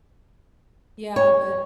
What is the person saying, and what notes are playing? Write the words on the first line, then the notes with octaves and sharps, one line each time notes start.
Yeah, but
C#5